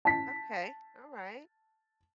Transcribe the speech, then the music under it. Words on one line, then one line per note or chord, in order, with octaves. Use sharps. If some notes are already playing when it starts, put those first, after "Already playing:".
Okay, alright,
A5 B6